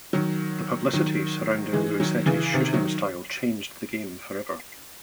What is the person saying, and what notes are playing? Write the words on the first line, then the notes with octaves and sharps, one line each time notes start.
The publicity surrounding Luisetti's shooting style changed the game forever.
D#3 F#3
D#3 F#3
E3 G#3
D#3 F#3
C#3 E3
C3 D#3
D#3 F#3